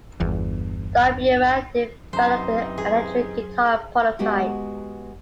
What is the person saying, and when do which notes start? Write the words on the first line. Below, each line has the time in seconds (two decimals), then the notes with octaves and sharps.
Dopyera developed an electric guitar prototype.
0.20 G1 E2
2.13 F#2 C3 E3 D#4 C5 A#5
2.78 G#4
4.19 G#3 B3 F#4 G4 F#5